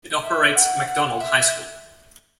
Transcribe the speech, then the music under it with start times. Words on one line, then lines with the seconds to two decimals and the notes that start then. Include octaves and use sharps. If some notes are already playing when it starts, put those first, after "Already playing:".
It operates Macdonald High School.
0.23 E5
0.56 F#5
0.88 F#5
1.20 E5